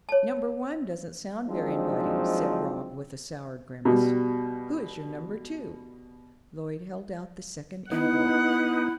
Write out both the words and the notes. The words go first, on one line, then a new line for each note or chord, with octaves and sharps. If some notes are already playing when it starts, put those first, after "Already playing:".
"Number one doesn't sound very inviting," said Rob, with a sour grimace. "Who is your number two?" Lloyd held out the second envelope.
C#5 A5
F3 F#3 G#3 C4 D4 D#4
B2 G3
B3 D#4 E4 F#5